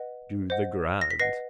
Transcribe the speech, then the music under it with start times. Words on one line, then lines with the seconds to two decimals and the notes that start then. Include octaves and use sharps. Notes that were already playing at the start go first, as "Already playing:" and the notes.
Do the grand.
Already playing: B4 D#5 F#5
0.50 C5 D#5 F#5
1.01 A#6
1.11 B6
1.19 B4 D#5 F#5 A#6 C7